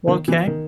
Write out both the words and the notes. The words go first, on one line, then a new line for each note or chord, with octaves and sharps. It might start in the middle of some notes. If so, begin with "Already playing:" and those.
Well 'kay.
D#3
E3
D#3